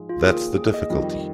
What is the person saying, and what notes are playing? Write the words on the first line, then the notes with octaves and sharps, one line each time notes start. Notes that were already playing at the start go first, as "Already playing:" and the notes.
That's the difficulty.
Already playing: G#2 F3 G#3
F4
D#2 D#3 A#3 F4 G#4
G#4
D#5
F2 D#3 G3